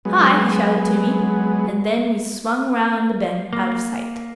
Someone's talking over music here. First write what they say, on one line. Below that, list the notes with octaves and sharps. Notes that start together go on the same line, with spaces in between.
"Hi!" he shouted to me, and then we swung round a bend out of sight....
F#3 G#3 B3
A#3